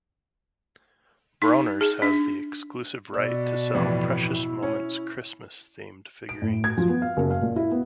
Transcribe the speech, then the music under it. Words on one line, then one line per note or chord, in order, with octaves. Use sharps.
Bronner's has the exclusive right to sell Precious Moments Christmas-themed figurines.
D#4
G#4
D4
B2 D5 E6
F2 A2 E3
E4
C#4
D7
A2
G#6
F3
B3
F5
F#1
F5
A#2
E4
B3